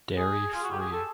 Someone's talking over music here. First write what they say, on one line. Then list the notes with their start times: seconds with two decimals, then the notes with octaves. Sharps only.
Dairy free.
0.18 G#4
0.55 F4
0.63 F#4
0.71 G4
0.80 G#4
0.93 A4